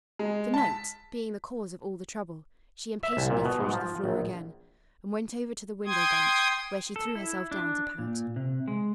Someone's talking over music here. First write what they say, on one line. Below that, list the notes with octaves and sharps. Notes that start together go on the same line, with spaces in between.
The note, being the cause of all the trouble, she impatiently threw to the floor again, and went over to the window bench, where she threw herself down to pout.
G#3
A5 B6
E5
C2
A#2
B2
G#2
F3
A#1
G5 C6 D#6 G#6
A4
E4
D4
A#2
C3
G#3